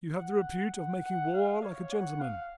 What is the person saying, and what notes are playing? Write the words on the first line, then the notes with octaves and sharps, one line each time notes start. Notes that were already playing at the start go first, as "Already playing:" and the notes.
"You have the repute of making war like a gentleman."
F#5
F#5
F#5
F5
C#5
F#5
F5